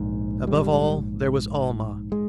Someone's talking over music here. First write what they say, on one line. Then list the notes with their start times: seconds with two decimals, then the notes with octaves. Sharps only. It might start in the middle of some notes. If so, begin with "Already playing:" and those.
Above all, there was Almah.
Already playing: A#1 G#2
0.47 G3
2.12 G#3